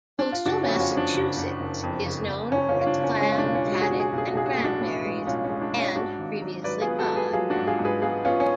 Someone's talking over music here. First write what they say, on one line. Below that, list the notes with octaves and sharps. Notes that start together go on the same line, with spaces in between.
Coastal Massachusetts is known for its clams, haddock, and cranberries, and previously cod.
D4
F4
F#1 D4 F#4
C#4 F4
F2
F#4
C#4 F4
F3
D4
F#1
F#1
F#1
F2
F#1
F#1
F#1 C#4
C#4 F4
F#1
F4
D4
F#1
C#4
G#3 C#4
F4
D4
B1
C#4 F4
G#3
F#4
G#4
B1 F#4
G#4
B1 F#4
G#4
F#4
B1 G#4
F#4
A2 G#4
D4 F#4
A2
G#3
B1 C#4 F4
C#4
G#3
D4
B1
C#4 F4
G#2 D4 F#4
G#1
F#3
F#3 B4 D5
F4 G#4
B3
F#4 A4
B3
G#4 B4
F#3 F4 G#4
D4 F#4
G#2
F4 G#4
G#2
G#4 B4
B3 F4 G#4
B3 C#4 F4
C#4